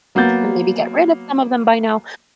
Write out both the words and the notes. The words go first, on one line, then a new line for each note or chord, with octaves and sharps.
and maybe get rid of some of them by now,
F#3 A#3 B3 F#5 G6 A6